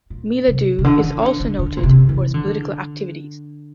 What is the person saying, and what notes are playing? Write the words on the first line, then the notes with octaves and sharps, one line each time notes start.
Miladhoo is also noted for its political activities.
A#2
C3
C3
D3
E3
D3
D3
D3
A#2
C3
E3
D3